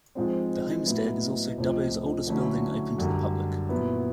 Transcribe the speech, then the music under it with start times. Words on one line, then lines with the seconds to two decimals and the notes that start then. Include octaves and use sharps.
The homestead is also Dubbo's oldest building open to the public.
0.15 G#2 F3 G#3 C4
0.86 A2 F#3 B3 E4
1.57 C#2 C3 F3 A3 C4
2.27 D3 F#3 A3 C#4 E4
2.98 F#2 D3 G3
3.69 A#2 F#3 B3 E4